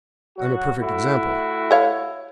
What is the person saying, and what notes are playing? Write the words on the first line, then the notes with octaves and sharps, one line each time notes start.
I'm a perfect example.
F#3 F#4
A2 E4 F#4
A4 C#5 F5